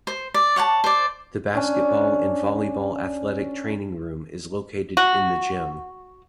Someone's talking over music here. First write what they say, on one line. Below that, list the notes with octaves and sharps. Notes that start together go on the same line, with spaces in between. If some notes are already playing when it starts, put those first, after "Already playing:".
The basketball and volleyball athletic training room is located in the gym.
C5
D5
C#5 F#5 G5 A5
C5 D5
C#4 D4
F#4